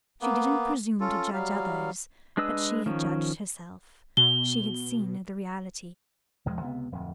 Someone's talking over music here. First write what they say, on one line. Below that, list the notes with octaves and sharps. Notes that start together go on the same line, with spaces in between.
She didn't presume to judge others, but she had judged herself; she had seen the reality.
A#3 B3
C#4 F4 A4
F#3 G3 F5
G#3 D4 B4 D#5 E6
D#3 F3 C#4
B2 G7
E1 E2 F3 G#3
C#2 C3 B3
D1 F2